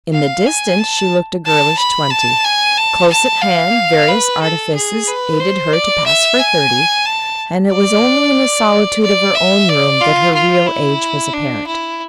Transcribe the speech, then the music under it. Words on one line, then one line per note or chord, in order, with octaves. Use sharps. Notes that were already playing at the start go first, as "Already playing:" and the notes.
In the distance she looked a girlish twenty; close at hand various artifices aided her to pass for thirty; and it was only in the solitude of her own room that her real age was apparent.
F5
G#5
A5
A5
B5
A5
G#5
A5
A5
F5
B4
A4
G#4
B4
C5
D5
E5
G#5
A5
D5
D5
E5
D5
F4
F4
E4
D4
E4